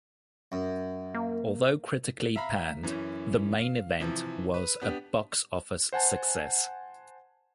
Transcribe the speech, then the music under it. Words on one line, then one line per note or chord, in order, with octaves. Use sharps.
Although critically panned, "The Main Event" was a box office success.
F#2
A#3
E5 F5 A#5 B5 B6
F#2 E3 C#4
F5
C3 E3 F3
B4
B3 D4 G4
C5 F#5 G#5 A5